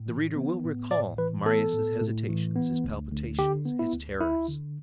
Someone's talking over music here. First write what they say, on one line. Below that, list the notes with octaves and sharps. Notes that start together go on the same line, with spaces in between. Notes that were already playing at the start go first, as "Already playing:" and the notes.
The reader will recall Marius' hesitations, his palpitations, his terrors.
Already playing: A2
E3
B3
A2
A2 D5
E3 B4
B3 A4
A2
A2
E3
B3
D2
D2
D3 G4
B3
E4
D2
D2 E4
D3